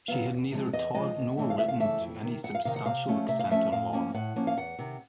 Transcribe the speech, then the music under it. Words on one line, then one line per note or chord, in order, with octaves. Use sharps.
She had neither taught nor written to any substantial extent on law.
C#3 F#3 B3 F5
E2
C3 F3 G#3
E2 D#5
C3 F3 G#3 D#5
D2
C#3 E3 A3
F5
D2 E5
F5
C#3 E3 A3 E5
F2
C3 D#3
F2 F#5
F5
C3 D#3 F5
F#5
C3 F5
F3 A3 C#4
C3 E5
F5
F3 A3 C#4 E5
A2 F5
F3 A#3 C#4
A2 F#5
F3 A#3 C#4
F5
E2 F#5
C3 D#3